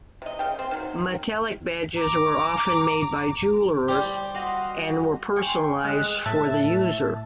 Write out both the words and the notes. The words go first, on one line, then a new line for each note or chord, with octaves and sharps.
Metallic badges were often made by jewelers and were personalized for the user.
C3 D#5
C#3 G5
C4
D#3 F#3
A#5 D6
G3 G4 C5 A#5
F#4 D#5 F5 C6
G5 G#5 C6 C#6
G#3 F6 F#6
A2 E5 A5